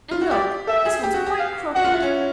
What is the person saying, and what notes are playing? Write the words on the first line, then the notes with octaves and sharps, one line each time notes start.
And look, this one is quite crooked!
F4
F#4
G4 D5
A4 E5
G#4
G4
F#4
G4
F5
F#4 F#5
F4
E4
C#4